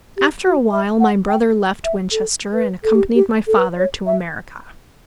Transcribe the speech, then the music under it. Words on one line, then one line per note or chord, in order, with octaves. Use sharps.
After a while my brother left Winchester and accompanied my father to America.
G4
F#4
E5
F#5
G5
E5
A4
B4
A4
G4
G4
A4
B4
C#5
E5